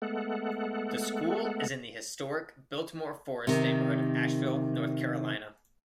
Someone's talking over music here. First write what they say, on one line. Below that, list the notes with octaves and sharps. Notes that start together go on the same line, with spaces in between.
The school is in the historic Biltmore Forest neighborhood of Asheville, North Carolina.
G#3 A3 B3 A4 F#5
C3 D#3